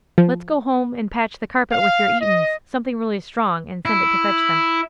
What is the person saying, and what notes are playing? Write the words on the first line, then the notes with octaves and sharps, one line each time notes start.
Let's go home and patch the carpet with your Etons--something really strong--and send it to fetch them.'
F3
F5
D#5
E4